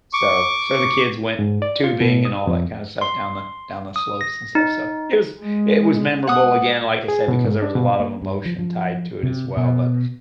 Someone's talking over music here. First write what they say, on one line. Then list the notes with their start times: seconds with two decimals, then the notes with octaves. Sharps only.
So so the kids went tubing and all that kind of stuff down the down the slopes and stuff, so it was it was memorable again, like I said, because there was a lot of emotion tied to it as well, but
0.13 C#6 D6
1.39 G#2
1.62 D5
1.84 F4
2.01 B2
2.25 D#6
2.47 F2
3.01 C6
3.96 D#6
4.21 A#6
4.55 D#4
5.43 G#3
6.27 F#5 D#6
7.08 G#4
7.28 B2
7.44 G#2
7.62 D4
7.76 B2
8.00 A#3
8.22 G2
8.45 F3
8.59 F3
9.23 C3
9.57 B2